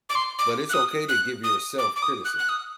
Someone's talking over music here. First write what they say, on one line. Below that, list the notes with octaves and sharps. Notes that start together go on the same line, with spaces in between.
but it's okay to give yourself criticism,
D6
C6
D6
F#6
D#6
F#6
D#6
D6
D6
D#6
F#6
F#6
D#6